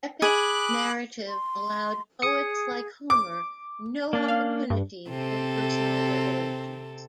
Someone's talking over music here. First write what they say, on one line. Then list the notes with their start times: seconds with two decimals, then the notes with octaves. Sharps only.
Epic narrative allowed poets like Homer no opportunity for personal revelations.
0.22 G#4 B5 D6 F#6
1.28 C6
2.22 G#4 D#6 C#7
3.10 D6
4.13 A#3 C#4 D4
4.28 F5
4.70 G2
5.08 C3 C4 A4